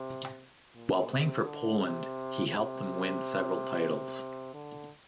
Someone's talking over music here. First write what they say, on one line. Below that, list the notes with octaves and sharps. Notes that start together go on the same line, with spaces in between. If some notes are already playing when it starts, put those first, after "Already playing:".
While playing for Poland, he helped them win several titles.
Already playing: C3
A#2
C3
D3
C3
C3
D3